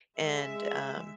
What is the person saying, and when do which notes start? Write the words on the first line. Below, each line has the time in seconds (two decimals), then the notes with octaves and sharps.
and, um,
0.19 G#3 E5